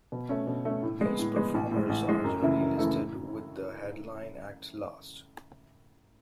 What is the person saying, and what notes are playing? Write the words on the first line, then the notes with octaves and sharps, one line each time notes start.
These performers are generally listed with the headline act last.
B2
A3 C#4
B2
A3 C#4
A2
G#3 B3
A2
G#3 B3
A1
A2
G#3
A1
A2 G#3
F#2
C#3 E3 A3 E4
F#2
C#3 E3 A3 E4
A2